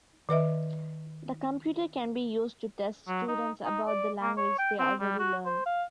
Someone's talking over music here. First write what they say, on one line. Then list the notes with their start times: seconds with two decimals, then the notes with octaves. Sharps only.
The computer can be used to test students about the language they already learn.
0.29 D#3 B4 D#5 E5
3.08 F#3
3.28 D#4
3.65 D#4
3.87 D5
4.22 A#3
4.37 C#5
4.59 G5
4.79 C4
5.01 G3
5.19 F#4
5.46 C5
5.66 F5